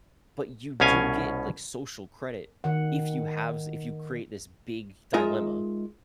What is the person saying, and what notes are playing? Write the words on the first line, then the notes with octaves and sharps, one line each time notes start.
but you do get, like, social credit if you have z if you create this big dilemma,
C2 B2 C#4 F5 G#5
D#3 F#5
G#3 D#4 F4 A#4 D#5 E5